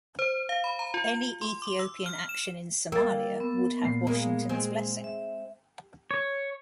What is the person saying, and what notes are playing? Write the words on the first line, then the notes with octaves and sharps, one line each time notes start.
Any Ethiopian action in Somalia would have Washington's blessing.
C5
F5
B5
A#5
F4
C6
D6
E6
F6
E7
G3 A#3 E6 A6
B3
A#2 C7
G#3 A#3
G#3 C4
E5
C#5